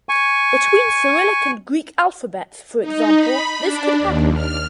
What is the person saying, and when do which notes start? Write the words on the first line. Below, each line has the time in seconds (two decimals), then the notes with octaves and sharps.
Between Cyrillic and Greek alphabets, for example, this could happen.
0.09 G#5 C#6
2.81 D#4
3.15 B5
3.57 D4
3.99 D#2
4.34 F6